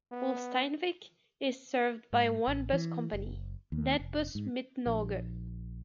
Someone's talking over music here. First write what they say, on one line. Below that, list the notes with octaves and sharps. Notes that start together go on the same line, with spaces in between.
Ulsteinvik is served by one bus company: Nettbuss Midt-Norge.
B3
G#2
A1
E3
F#1
D#2
F1
G#2
A#1